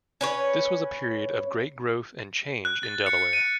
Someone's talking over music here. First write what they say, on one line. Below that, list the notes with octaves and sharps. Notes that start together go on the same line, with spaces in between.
This was a period of great growth and change in Delaware.
C#4 B4 C#5
F#6
A6
C#7
D#7